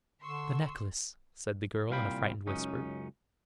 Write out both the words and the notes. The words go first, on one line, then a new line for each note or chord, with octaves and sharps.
"The necklace," said the girl, in a frightened whisper.
D3 C6 C#6 E6
C2 A#2 F5 G5 B5
C#2 F#2 C#4 D#4